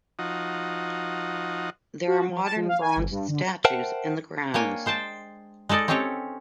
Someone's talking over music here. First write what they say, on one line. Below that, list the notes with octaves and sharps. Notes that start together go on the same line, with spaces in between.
There are modern bronze statues in the grounds.
F3 D#4 F#4
F#4
F3
A5
F3
F5
G#5
G1
G2
D3
A#4 C5 E5 F#5 G5 A5
A#3 D4 C#5 G5 G#5
G#3 C5 G5 A5
G#3 D#4 A4 D5 D#5
C4 C#4 D#4 G4 A4 C#5